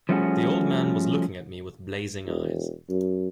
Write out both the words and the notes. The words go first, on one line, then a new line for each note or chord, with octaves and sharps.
The old man was looking at me with blazing eyes.
F3 G3 A3 C#4 F#4 G#4
E1
F#2